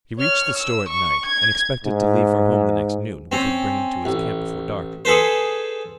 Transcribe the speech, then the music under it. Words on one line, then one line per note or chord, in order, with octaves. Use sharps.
He reached the store at night and expected to leave for home the next noon, which would bring him to his camp before dark.
C#5 F6
E6
C#6
G#6
G#2
C4 C#4
A1
G#4 A4 B4 C5